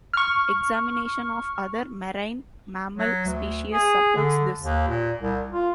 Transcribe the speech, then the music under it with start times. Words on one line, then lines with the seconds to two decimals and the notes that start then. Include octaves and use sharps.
Examination of other marine mammal species supports this.
0.13 C#6 F6
2.97 F#3
3.26 D2
3.72 G#4
4.16 D3
4.62 D#2
4.88 A#2
5.20 C2
5.51 F4